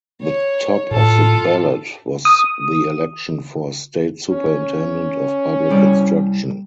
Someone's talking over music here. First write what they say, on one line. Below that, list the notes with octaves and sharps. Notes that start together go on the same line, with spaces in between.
The top of the ballot was the election for state Superintendent of Public Instruction.
C#5
A2 F4 A4
D#6
C#4
C2 G3 D5